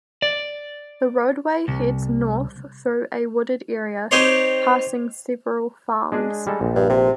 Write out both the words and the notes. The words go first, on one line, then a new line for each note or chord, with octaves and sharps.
The roadway heads north through a wooded area, passing several farms.
D5
C2
C4 D#4 G4 C#5 D#5 C6
G#3 D4 G#4
G3 G#3 A4
A#1
G2
C3